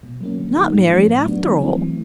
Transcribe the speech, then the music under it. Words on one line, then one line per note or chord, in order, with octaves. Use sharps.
Not married after all?'
B2
F#3 A#3 C#4
D3
F#3 A#3 D#4 F#4
G#2
F3 A3 C#4
A2
F#3 B3 D4 F#4
D#3
F#3 A3 C4 E4
E3